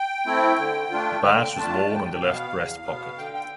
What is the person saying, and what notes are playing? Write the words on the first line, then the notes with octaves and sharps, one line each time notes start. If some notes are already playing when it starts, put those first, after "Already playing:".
The badge was worn on the left breast pocket.
Already playing: G5
A3 C4 E4
D3
A3 D4 F4
D3 G5
A3 D4 F4 A5
E2 G5
B2 B3 F5
E2
B2 B3
D3 G5
G5